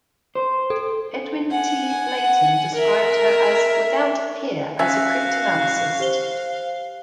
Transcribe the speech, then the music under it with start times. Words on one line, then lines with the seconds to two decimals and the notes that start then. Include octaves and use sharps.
Edwin T. Layton described her as "without peer as a cryptanalyst".
0.35 C5
0.70 A4
1.51 F#5 G#5
2.75 A#4 E5
4.79 C#4 F#4 E5 F5 G#5
5.99 G4 C5 G7